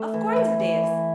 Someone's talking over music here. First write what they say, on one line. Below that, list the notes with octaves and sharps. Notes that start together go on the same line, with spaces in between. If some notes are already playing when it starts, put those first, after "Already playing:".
'Of course it is.
Already playing: A3
E3
E3
E3
E3